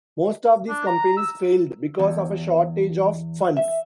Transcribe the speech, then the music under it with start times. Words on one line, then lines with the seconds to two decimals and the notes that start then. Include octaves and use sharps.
Most of these companies failed because of a shortage of funds.
0.69 D4
0.87 A#5
1.17 E6
1.99 E2
3.57 E5